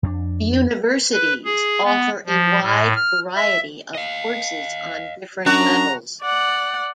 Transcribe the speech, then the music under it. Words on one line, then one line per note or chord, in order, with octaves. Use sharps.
The universities offer a wide variety of courses on different levels.
F2 C4 D4
B4
G#4
B3
F3
A2
F6
E5
D#5 F5
F#2 D4 F#4 A#5
D5 F#5